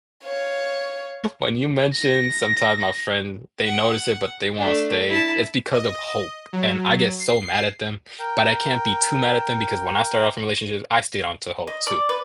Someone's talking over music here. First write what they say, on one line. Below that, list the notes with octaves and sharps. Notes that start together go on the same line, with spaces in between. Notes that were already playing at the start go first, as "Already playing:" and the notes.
when you mentioned sometimes my friend they notice it, but they won't stay, it's because of hope, and I get so mad at them, but I can't be too mad at them because when I started off in relationships, I stayed onto hope too.
C#5 F5
A#6
F#5
A3 D4
E4 A5
D#5
F#3
C7
A#4 G5
D#5
D5
B4